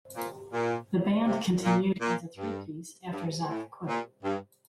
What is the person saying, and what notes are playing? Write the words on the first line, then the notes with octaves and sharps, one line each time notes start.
The band continued as a three-piece after Zack quit.
A#2
A#2
C3
A#2
A#2
G2
G2
A2
A#2
G2